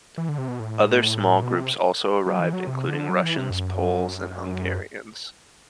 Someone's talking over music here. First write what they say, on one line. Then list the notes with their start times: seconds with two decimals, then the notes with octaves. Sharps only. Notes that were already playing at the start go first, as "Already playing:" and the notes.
Other, smaller groups also arrived, including Russians, Poles and Hungarians.
0.18 E3
0.29 D3
0.38 C3
0.48 B2
0.60 A2
1.43 B2
1.56 C3
2.26 F#3
2.40 E3
2.53 F#3
2.67 C3
2.88 D3
3.09 F#3
3.23 E3
3.37 C3
3.51 F#2